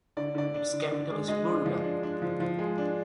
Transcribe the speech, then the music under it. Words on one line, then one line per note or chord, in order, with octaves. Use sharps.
Its capital is Florida.
D3 D5
D3 D5
D4
D3
D3
G#3
G#3 D#5
D4
F3
D4
D4
F3
F3
G#3
D4